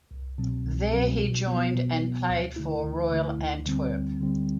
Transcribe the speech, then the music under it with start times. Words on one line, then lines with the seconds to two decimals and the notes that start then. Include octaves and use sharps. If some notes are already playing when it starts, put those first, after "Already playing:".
There he joined and played for Royal Antwerp.
0.11 C2
0.38 B2 F#3 C4
0.65 C2
0.93 B2 F#3 C4
1.20 B2
1.47 F#3 B3
1.75 B2
2.02 F#3 B3
2.30 D2
2.56 D3 A3 E4
2.84 D2
3.11 D3 A3 E4
3.39 D2
3.66 D3 G3 C4
3.93 D2
4.20 D3 G3 C4